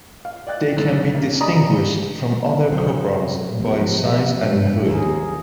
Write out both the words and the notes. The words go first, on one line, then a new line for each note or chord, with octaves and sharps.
They can be distinguished from other cobras by size and hood.
F5
D5 D#5 G5 F#6 A6
F#1 B1 G3 C4 A6
C#3 A#3
D5 D#5 G#5 A#5 B5 D#6
C3 F#3 C4
C3 F3 B3
E5
G2
D#2 G#4 A#4